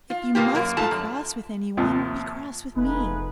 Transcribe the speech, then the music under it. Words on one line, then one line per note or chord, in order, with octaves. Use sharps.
If you must be cross with anyone, be cross with me.
F4
B2 A#3 F4 G4
F#2 A#3
G#2 A3 F4 A5 A#5
F#2
D#2 C3 F3
F1 A3 B3 D#4 F4 G#4 B4